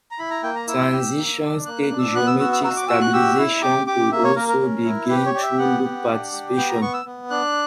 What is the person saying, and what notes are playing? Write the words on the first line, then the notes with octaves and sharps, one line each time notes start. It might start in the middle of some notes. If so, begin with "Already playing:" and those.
Transition-state geometric stabilization could also be gained through loop participation.
A#5
E4 B5
A#5
A#3 G5
A#5
E4 E6
G4
A#3
D4
A#3 F#6
F#6
D4
E6
B3 F#6
E6
F#4 E6
E6
F#4 E6
D6
F#4 E6
F#6
G4 E6
E4
G4 D6
G4 D6
A#3 E5
C#5
A#3 A#4
A#4
C#4
E4
G4 B4
C#5
G4 D5
E5
B3 F#5
G4
D4
G4
B3 G5
A#5
B3 C#6
E6
B3
D4 F#6